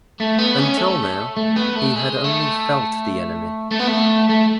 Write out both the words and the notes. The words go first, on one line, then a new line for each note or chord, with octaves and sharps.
Until now, he had only felt the enemy.
A3
B3
C#4
A3
A3
B3
A3
G#3
A3
A3
B3
A3
A3